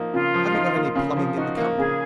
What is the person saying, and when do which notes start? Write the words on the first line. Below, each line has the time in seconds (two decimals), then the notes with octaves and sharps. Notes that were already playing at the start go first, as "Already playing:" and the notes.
Have you got any plumbing in the camp?
Already playing: F3 A#3 D#4
0.13 C#3 F4
0.34 F3
0.54 D#4
0.76 A#3
0.95 C#3
1.17 F3
1.37 D#4 F#4
1.57 A#3
1.78 C#3 G#4